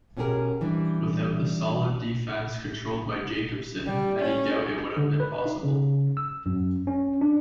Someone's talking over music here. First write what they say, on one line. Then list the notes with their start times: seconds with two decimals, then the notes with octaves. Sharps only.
Without the solid defence controlled by Jakobsson, many doubt it would have been possible.
0.17 B2 C#4 G4 G#4 A#4
0.61 E3 G3 D4
3.86 G3
4.20 C#4
4.97 D3
5.20 B4
5.45 D#4
5.63 C#3
6.17 E6
6.46 F#2
6.87 C#4
7.21 D4